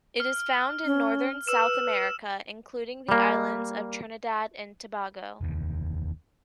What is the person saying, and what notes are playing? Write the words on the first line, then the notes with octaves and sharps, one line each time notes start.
It is found in northern South America, including the islands of Trinidad and Tobago.
F6
C#4
B4 E6 E7
G3 A#3
F1 D#2